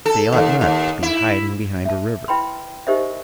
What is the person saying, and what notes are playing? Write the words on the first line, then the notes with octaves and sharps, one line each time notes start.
They ought not to be hiding behind a river.
A4
D#2
D#2
E4
E5 A5
E4 B4 G5 B5 C6
D#4 G4 A#4 C5 D#5 E5